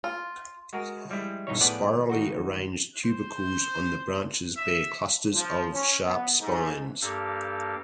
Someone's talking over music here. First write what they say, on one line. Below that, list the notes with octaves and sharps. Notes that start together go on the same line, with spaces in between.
Spirally arranged tubercles on the branches bear clusters of sharp spines.
F4
G#3 F#4 G#4 A#4
F3 G3 G#3 E4
B1 G2 D#4 E4 C#5
A2 F3 B3 G#4 B4 D5
G#1 D#4 F#4
C5
E5
F3
C#4
B3
G#2
G2 A#3 G4 A4 F5